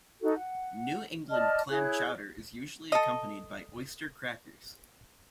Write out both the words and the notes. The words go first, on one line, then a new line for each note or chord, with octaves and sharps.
New England clam chowder is usually accompanied by oyster crackers.
D#4 F#4 A4
F#5
D5 D#5 A5 F6
E4 G#4 C#5 F#6
A4 D#5